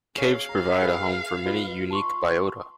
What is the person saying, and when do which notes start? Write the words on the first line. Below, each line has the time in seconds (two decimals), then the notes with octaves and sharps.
Caves provide a home for many unique biota.
0.17 G#4 C#5 F5
0.49 A#5
0.82 G#4 B4 E5
1.46 F4 B4 D#5
1.91 A5 C6 C#6